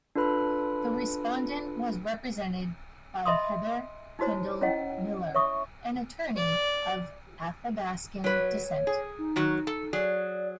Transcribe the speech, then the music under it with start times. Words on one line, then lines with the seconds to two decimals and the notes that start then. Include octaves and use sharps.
The respondent was represented by Heather Kendall-Miller, an attorney of Athabascan descent.
0.15 D4 F4 A4 B4 B5
3.26 D#5 E5 B5 C6 D#6
4.19 D#4 E4 F#4 C5 C#5
4.61 C#4 E4 C#5 D#5 F#5 G5
5.35 C#5 E5 C#6 D#6
6.36 D5
8.24 F#3 B4 C#5
8.87 G#4
9.19 D#4
9.36 D#3 F#3 F#4
9.67 A4
9.93 F#3 G#4 D5